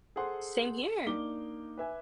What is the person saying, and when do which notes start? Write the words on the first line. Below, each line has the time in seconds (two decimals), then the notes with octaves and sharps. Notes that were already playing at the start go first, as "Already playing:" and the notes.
Same here.
0.16 G#4 A4 C5 F#5 C6
1.06 A#3 D4 D#4 D6 G7
1.78 B4 E5 G#5